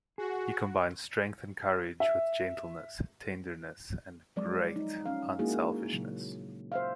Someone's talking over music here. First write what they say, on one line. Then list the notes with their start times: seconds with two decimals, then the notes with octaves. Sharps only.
He combined strength and courage with gentleness, tenderness, and great unselfishness.
0.18 F#4 G#4
2.00 E5
4.36 F3 F#3 G#3 C4 D5
4.76 D#4
5.06 C#4 F5
5.39 G#3 A#3 D#4 E4 F#4 G#4
5.92 A#2 C#3 F#3
6.72 C5 E5 F5